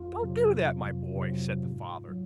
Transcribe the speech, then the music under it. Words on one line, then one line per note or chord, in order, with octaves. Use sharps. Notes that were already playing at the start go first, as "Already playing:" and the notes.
"Don't do that, my boy," said the father.
Already playing: F2 F4
C3 F#3
F2
C3 F#3
G#2
F#3